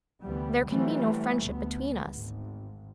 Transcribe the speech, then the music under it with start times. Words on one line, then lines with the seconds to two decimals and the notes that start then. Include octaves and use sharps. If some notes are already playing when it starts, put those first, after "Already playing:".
There can be no friendship between us.
0.22 D2 C3 E3 G3 B3
0.68 E3 F#3 G3 A3 A#3 C4
1.42 D2 B3
2.14 G#1